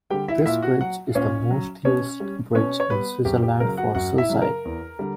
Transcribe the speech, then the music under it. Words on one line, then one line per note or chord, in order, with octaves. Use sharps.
This bridge is the most used bridge in Switzerland for suicide.
D3 G3 G4 G5
E4 E5
A#2 E4 E5
F#4 F#5
F#3 F#4 F#5
A#2 C#4 C#5
F#3
B2 C#4 C#5
G3
B2 C#4 C#5
C#5
G3 B3 B4
F#2 G4
G4
C#3 F#3 A#4
F#4 F#5
F#2 F#4 F#5
E4 E5
C#3 F#3
A#4
E2
D3 G3